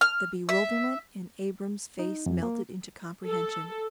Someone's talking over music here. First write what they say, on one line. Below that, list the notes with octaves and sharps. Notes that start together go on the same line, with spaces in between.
The bewilderment in Abram's face melted into comprehension.
F6
E5
D#4
F2
A#3
A4